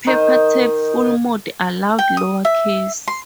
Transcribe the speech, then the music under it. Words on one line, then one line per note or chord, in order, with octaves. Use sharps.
Paper tape 'full' mode allowed lower case.
D#3 D#4 C5 D#5
G5
D#6
E5
C6